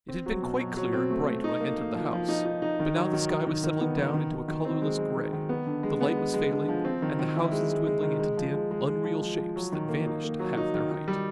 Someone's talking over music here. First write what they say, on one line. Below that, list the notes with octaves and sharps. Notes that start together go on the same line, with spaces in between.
It had been quite clear and bright when I entered the house, but now the sky was settling down into a colourless grey, the light was failing and the houses dwindling into dim, unreal shapes that vanished at half their height.
C4
F#3
B2
F#3
F#3
C4
A3
A3
D#4
A#3
A#3
F3
F3
D#4
D#4
D#4
D#3
F#3
D#3
D#3
D#3
D#3
B3
D#3
D#3
D#3
D#3
C4
G#3
G#3
D#3
D#3
B3
D3
G#3
B3
G#3
G#3
D3
F3
C4
D#3
D#3
E4
G#3
G#3
G#3
D#3
G#3
F3
G#3
G#3
G#3
F3
F3
F3
F#3
D#3
A#3
D#4
A#3
F#3
D#4
D#3
D#4
G3